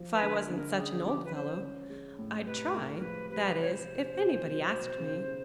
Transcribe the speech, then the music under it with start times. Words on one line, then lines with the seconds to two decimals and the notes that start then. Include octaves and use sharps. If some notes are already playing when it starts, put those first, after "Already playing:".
"If I wasn't such an old fellow, I'd try; that is, if anybody asked me."
Already playing: F3
0.14 B4
0.22 D3
0.36 A#4
0.50 D3
0.56 A#4
0.77 C#4 G#4
1.06 F3 G4
1.24 B4
1.33 C#4 C5
1.62 C#4
1.90 G#3
2.18 A2
2.46 C3 B4
2.74 G#3 A#4
2.97 A#4
3.02 F3 B4
3.30 C3 B4
3.58 C4 C#5
3.72 C5
3.86 C3
4.14 B2
4.42 F#3
4.71 B2
4.98 C#3
5.27 C#3